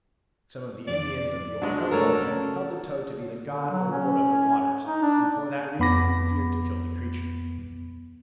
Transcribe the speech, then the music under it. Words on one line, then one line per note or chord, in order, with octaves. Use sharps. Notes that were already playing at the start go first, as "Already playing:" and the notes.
Some of the Indians of the Orinoco held the toad to be the god or lord of the waters, and for that reason feared to kill the creature.
F2 D5
F#3 G#3 D4
G3 A3 F#4 A4 A#4 C#5
C#3
D3
F#3
C#4
D#4
D4
F2 B3 B5 D6 A#6